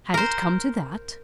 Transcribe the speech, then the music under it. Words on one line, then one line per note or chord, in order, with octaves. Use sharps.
Had it come to that?
A#4 C5